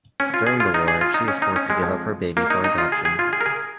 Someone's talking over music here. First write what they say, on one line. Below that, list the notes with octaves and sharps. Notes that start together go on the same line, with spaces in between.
During the war, she is forced to give her baby up for adoption.
C#4
F4
G#4
F4
D#4
G#4
F4
D#4
C#4
D#4
C#4
G#3
F2 F3
A#3
D#4
D#4
F4
G#4
G#4
F4
G#4
A#4
G#4